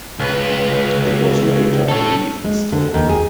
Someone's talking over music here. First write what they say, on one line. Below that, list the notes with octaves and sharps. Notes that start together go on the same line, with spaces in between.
It was later reinstalled.
C#2 B4
A4 C#5
G#3
D3
D#2
G#4